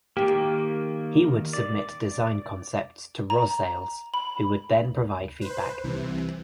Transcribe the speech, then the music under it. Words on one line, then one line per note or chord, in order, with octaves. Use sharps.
He would submit design concepts to Rosales, who would then provide feedback.
D#3 A#3 G4
D5
A#5
B5
B4 C5
C2 C3 E3